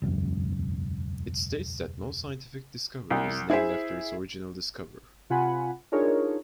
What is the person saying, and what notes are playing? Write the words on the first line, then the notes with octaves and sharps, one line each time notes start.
It states that no scientific discovery is named after its original discoverer.
E1 C#2 F#2
C2
E4 G#4 C5 E5
C3 F4 F#5 G#5 B5
D4 D#4 F4 G#4 A#4 C#5